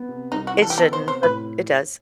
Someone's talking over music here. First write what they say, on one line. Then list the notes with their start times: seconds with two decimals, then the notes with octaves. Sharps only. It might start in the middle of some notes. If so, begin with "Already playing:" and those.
It shouldn't, but it does.
Already playing: B3
0.08 C3
0.32 C2 D#4
0.47 F#4
0.54 E3
0.62 A4
0.70 G4
0.77 B3 A4
0.93 C5
1.00 C3
1.08 C5
1.23 A2 B4